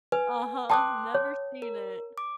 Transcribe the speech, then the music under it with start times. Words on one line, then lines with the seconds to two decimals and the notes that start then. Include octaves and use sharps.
Uh-huh. Never seen it.
0.12 B4 G#5
0.70 G5 A5 C6 D6 D#6 F#6
1.14 C#5
1.62 A#4
2.18 D6